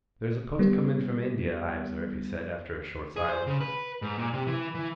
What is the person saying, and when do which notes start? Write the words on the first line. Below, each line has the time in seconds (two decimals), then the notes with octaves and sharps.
'There is a post come in from India, I observe,' he said, after a short silence.
0.59 G3 B3
3.16 G#4
3.29 C5
3.47 C#3
3.61 B4
4.02 G#2
4.18 A#2
4.34 C3
4.47 E3
4.75 E3